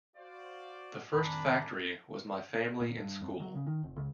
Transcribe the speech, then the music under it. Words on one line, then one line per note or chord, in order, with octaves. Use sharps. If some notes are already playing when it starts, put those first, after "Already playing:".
The first factory was my family and school.
F#4 C5 D5 F5
C2 F2 A2 D#3 D4 G#5 A#5 B5
A#2
G2
F2
F#3
C#3
D#3
F1
C#2